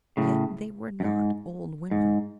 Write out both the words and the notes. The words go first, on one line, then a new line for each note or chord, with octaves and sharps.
Yet they were not old women.
A2 C#3
F#2
G#2
G#2